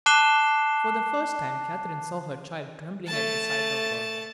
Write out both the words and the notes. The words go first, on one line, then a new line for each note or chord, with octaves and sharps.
For the first time Catherine saw her child trembling at the sight of her.
A5 D6 F#6 C7 E7 G7
A3 A5